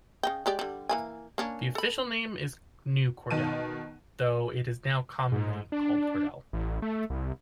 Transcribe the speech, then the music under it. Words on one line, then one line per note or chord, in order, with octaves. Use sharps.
The official name is New Cordell, though it is now commonly called Cordell.
C#3 D#5 G5
G#3 G4 D5
D3 G3
E3 A#3 G#5
A#3 C#4 D4
A4 B5
B2 D#3 A5 D#7
G#2
D4
A1
A3
C2